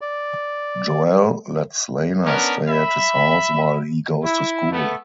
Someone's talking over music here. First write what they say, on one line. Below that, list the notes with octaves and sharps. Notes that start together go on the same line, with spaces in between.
Joel lets Lana stay at his house while he goes to school.
D5
B3 C#4 D4 A#4
E5 B5
E4
A3 B3